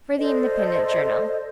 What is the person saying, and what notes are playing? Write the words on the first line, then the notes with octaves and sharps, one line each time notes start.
For the Independent Journal.
A4 C5 D5 D#5